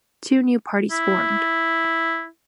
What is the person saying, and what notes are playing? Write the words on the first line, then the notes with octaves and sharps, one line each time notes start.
Two new parties formed.
E4